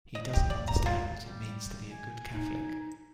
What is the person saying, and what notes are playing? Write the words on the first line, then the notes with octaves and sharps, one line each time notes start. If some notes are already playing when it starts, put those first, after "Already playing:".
He doesn't understand what it means to be a good Catholic.
D#5
G4
D5
A#5
F4
G3
G#5
D#4